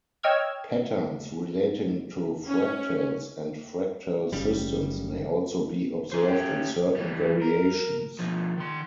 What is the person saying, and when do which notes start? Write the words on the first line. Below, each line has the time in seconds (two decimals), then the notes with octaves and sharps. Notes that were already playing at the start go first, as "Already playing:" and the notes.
Patterns relating to fractals and fractal systems may also be observed in certain variations.
0.23 C#5 D#5 G5 E6 F6 G#6
2.47 C#4
4.32 F#1 C#3 G3
6.12 G#4 C5
6.28 C#4 G4
6.95 E3 G3
7.42 A#4
8.19 B2 F3
8.58 D#3 C6